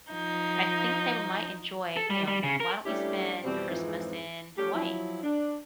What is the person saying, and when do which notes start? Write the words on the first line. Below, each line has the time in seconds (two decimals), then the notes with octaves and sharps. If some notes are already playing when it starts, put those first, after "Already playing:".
I think they might enjoy, you know, "Why don't we spend Christmas in Hawaii?"
0.10 F3 D#4 G6
1.97 A4
2.10 G3
2.28 G3
2.43 C#3
2.60 A#4
2.86 G3 A3 C#4 D4 E4 G4
3.44 F2 B2 E3 G3 C4
3.69 F2 G#2 E3 F3 G#3 C4
4.58 F3 A3 C#4 G4
4.74 F3 F#3 E4
5.23 D4